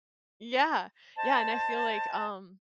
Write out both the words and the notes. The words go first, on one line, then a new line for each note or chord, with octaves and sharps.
Yeah, yeah, and I feel like, um,
C5 D#5 A5